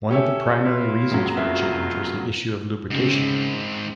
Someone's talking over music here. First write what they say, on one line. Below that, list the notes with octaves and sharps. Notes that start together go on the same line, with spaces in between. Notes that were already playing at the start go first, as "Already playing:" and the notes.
One of the primary reasons for the change was the issue of lubrication.
C#4 G4 A4 C#5 E5
E4 F4
F#1 C2 F#3
B2 D#3 F4 E5
G#2 C#3 C4